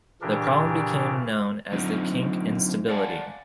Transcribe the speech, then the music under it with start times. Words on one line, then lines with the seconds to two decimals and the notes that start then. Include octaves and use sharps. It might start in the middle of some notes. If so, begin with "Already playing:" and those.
The problem became known as the "kink instability".
0.21 A#2 C#3 E3 D4 G4 A#4
1.72 D3 F#3 C4 D#4 F4
2.88 D5 F5 F#5 G#5 A5